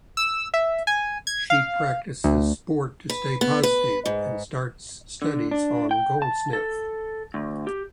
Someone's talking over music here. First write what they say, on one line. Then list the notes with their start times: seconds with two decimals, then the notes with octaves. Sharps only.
She practices sport to stay positive, and starts studies on goldsmith.
0.17 E6
0.54 E5
0.87 G#5
1.27 G#6
1.50 F5
2.24 D2
3.09 B4
3.41 B3
3.63 B4
4.06 G#2
5.22 D3
5.51 D4
5.91 G5
6.22 A5
6.53 A4
7.34 D2
7.67 G4